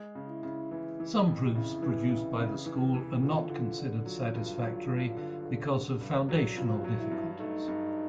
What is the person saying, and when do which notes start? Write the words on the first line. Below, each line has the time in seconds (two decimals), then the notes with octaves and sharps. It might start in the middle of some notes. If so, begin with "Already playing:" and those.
Some proofs produced by the school are not considered satisfactory because of foundational difficulties.
Already playing: G#3
0.15 C#3
0.29 E4
0.43 C#3
0.71 E3
1.00 E3
1.28 F2
1.55 C#3 E4
1.82 E3
2.11 C#3
2.39 C#3
2.66 E3
2.94 E3
3.22 D3 F4
3.50 D3
3.78 D3
4.06 F#3 F4
4.34 G2
4.61 F#3
4.90 G2
5.17 D3
5.45 D3
5.72 D3
6.01 G2
6.29 F#3
6.56 G2 F4
6.84 F#3
6.99 E4
7.12 G2
7.40 A3 D#4
7.68 G2